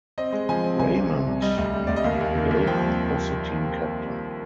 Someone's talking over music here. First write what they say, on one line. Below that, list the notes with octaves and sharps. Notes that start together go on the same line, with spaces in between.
Raymond Ilg was the team captain.
C4 D#5
G#3
F3 G#5
C4
C2 G#5
C3
C3
C2
G3 D#5
D2
G3
D2 D5
D#5
D#2 F5
D#2
D#3
D#2
F3 G5
C2